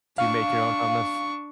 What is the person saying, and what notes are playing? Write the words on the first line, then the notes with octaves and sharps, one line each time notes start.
Do you make your own hummus?
D4 F5 C#6